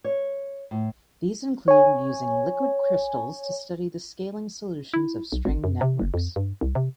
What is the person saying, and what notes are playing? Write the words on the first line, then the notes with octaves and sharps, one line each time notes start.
These include using liquid crystals to study the scaling solutions of string networks.
C#5
A2
C#5 G#5
E4
B1
G#1
F#2
C3
F#1
F2
G2
C2
C3